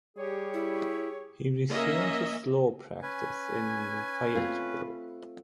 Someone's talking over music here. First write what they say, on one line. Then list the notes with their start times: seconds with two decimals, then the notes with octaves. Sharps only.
He resumed his law practice in Fayetteville.
0.17 G3 G4 G#4 C#5
0.54 E4
1.68 A#3 C#4 D#5 E5
3.03 C#4 B4 G#5
4.35 A3 C4 F4